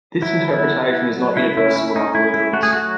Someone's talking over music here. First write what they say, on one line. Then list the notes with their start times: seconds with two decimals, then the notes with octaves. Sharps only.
This interpretation is not universal among Lutherans.
0.22 F#3 E4
0.51 B3 E4
0.80 B3
1.09 F#3
1.37 C#3 E4
1.57 E4
1.66 C#4
1.76 E4
1.96 C#4 D#4
2.15 E4
2.24 C#4
2.34 E4
2.53 A3 F#4
2.63 G#4
2.73 F#4
2.82 F#3